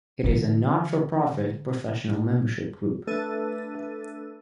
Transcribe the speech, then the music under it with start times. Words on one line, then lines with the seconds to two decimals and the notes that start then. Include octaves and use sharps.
It is a not-for-profit professional membership group.
0.24 D3 E3
3.07 A3 D4 A4 B4 A6 D#7